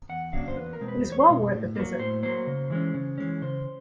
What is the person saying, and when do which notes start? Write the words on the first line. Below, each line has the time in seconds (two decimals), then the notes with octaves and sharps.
It is well worth a visit.
0.09 E2 F#5
0.32 C#3 F#3 A#3 D4 F5
0.48 C5
0.56 E2 B4
0.73 A#4
0.81 B2 G#3 C4
0.88 B4
1.04 E2 C5
1.12 C#5
1.20 C5
1.28 B2 G#3 C4
1.51 A2
1.75 F#3 A#3
1.99 A2 C5
2.23 F#3 A#3 C5
2.47 C#3
2.70 E3 G#3 C#4
2.94 C#3
3.18 E3 G#3 C#4
3.42 C#3 C5